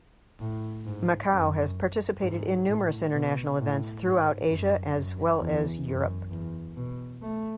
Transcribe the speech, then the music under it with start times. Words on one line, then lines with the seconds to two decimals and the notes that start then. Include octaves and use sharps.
Macau has participated in numerous international events throughout Asia as well as Europe.
0.40 A2
0.86 G#2
1.31 F#2
2.21 G#2
2.67 A2
3.14 B2
3.59 A2
4.04 G#2
4.49 F#2
4.95 F#2
5.40 E2
5.86 F#2
6.31 E2
6.76 B2
7.22 A3